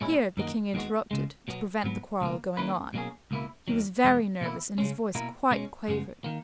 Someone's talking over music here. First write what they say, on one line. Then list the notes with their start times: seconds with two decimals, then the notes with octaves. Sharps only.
Here the King interrupted, to prevent the quarrel going on: he was very nervous, and his voice quite quivered.
0.01 A#2 G#3 C#4 E4
0.37 F#2 D#3 A#3 D#4 F#4
0.74 D#2 D#3 G#3 B3 F#4
1.11 C#2 C#3 G#3
1.48 B2 F#3 B3
1.84 G#2 F#3 B3
2.21 C#2 B2 A#3
2.57 D#3 A#3 C#4 E4 B4
2.94 B2 F#3 A#3 C#4 G#4
3.31 C#2 B2 A#3 E4
3.68 D#2 D#3 F#3
4.04 E2 B2 G#3 B3
4.41 B2 A#3 E4
4.78 C#3 G#3 C#4
5.15 B2 A#3 E4 A#4
5.51 B2 G#3 C#4
5.88 F#2 C#3 G#3 B3
6.24 D#3 A#3